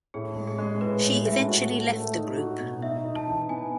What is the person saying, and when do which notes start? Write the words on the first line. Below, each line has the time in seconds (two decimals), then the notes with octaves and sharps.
She eventually left the group.
0.14 A2 G#4
0.36 G#3
0.47 G#4
0.58 G#3
0.81 A2 B4
1.03 A2 C#5
1.26 A2 E5
1.48 F#4
1.71 A3
1.92 A3
2.15 D#4
2.37 F#4
2.60 B2
2.82 D#4 E5
3.04 D#4
3.16 A5
3.28 E3
3.49 B3 G#5